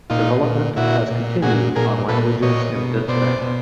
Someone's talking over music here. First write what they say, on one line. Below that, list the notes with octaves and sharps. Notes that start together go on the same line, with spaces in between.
Development has continued on languages in this family.
A#2 D#4 F4
A#2
A#2 E4 F#4
A#2
A#2 F#4 G#4
A#2 G#4 A#4
A#2 A4 B4
A#2 C#5 D#5
B2
B2 C5 D5
B2